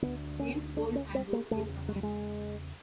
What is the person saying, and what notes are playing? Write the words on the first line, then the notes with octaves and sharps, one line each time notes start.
James Gold Andrews in command.
D2 D3 B3
C#4
D4
C#4
C4
A#3
E2 C#3 A3
G#3
G3
G#3